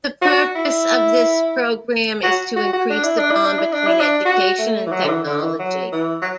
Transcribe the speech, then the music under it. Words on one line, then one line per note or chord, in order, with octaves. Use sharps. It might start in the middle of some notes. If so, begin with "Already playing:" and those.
The purpose of this program is to increase the bond between education and technology.
F#4
E4
F#4
F#4
F#4
D4
E4
D4
E4
D4
E4
D4
E4
D4
F#4
A3
E3
F#3
D3
E3
D3
E3
F#3
E3
F#3